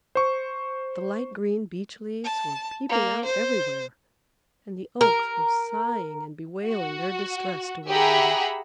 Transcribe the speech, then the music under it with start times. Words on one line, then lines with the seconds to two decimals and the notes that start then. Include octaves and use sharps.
The light-green Beech leaves were peeping out everywhere, and the Oaks were sighing and bewailing their distress to one another.
0.15 C5 C#6
2.24 A5
2.89 A#3
3.25 C5
5.01 A#4
6.66 F#4
7.88 G4 G#4 E5 F#5 A#5 B5